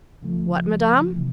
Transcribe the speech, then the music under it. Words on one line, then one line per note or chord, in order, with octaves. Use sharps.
"What, madame?"
D2 C#3 F3 A3
C3 E3